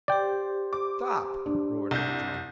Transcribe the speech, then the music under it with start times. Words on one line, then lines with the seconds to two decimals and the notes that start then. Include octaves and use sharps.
"Stop!" roared Little John.
0.08 G4 C5 D5 G5 C6
0.73 D6
1.46 D4
1.91 C2 G6